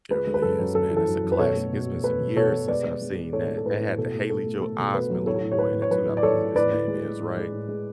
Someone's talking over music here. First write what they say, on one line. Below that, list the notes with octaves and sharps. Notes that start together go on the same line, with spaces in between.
It really is, man, that's a classic, it's been some years since I've seen that, they had the Haley Joel Osment little boy in it too, I believe his name is, right?
G#3 B4
G#3
B4
F#2 A4
F#2
F#2 A4
E3
A4
F#2
F#2
B4
B2 A4 C#5
A3
B2
A3
A3 B4
B2
B2 A4 C#5
B2
G#3 B4 D5
G#3
G#3
G#3
A2 A4 C#5
G#3
A4
A2 B4
A2
B2 A4
A3
A3 A4
A3
A3 A4
B2
B2 B4
F#3
A2 A4 C#5
A2
C#5
A2 B4
A2
C#5
F#3 B4
A2
D5
F#3 A4 C#5
A2
A2 B4 D5
A2
G#3
G#3
A2
G#3
A2
G#3